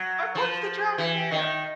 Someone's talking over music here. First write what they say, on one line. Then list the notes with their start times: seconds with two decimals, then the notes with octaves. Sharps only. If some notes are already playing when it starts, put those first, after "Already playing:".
I punched the drowning man!
Already playing: F#3
0.35 F3
0.98 E3
1.31 D#3